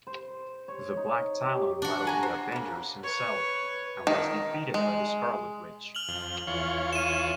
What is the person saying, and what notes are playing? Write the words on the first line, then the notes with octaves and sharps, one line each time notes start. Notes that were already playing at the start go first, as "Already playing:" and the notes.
The Black Talon battled the Avengers himself, and was defeated by the Scarlet Witch.
C5
C#5
D#4
G4
D4 F#4
A4 G#5 A#5
C5
C#3 A#3
B4 C#5
D#3
G#3
F6 F7 F#7
F2
E2 F4 C#5
D#7 E7